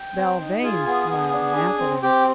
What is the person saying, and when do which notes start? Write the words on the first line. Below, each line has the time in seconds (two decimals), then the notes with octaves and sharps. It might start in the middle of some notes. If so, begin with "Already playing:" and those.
Belvane smiled happily.
Already playing: G5
0.16 C4
0.40 D#4
0.63 F4 G#4 G#5
0.86 B3 G#4 G#5
1.09 B3
1.32 D4
1.56 G#4
1.79 C4
2.02 C4 G4 G5